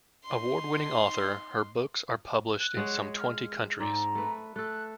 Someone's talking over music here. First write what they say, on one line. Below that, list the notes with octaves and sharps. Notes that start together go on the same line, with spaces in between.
Award-winning author, her books are published in some twenty countries.
D#4 C6
F#6
G#3 C#5 F#5
F6
G#2 C4 D5 A#5
A3 B4
A3 A4 F#6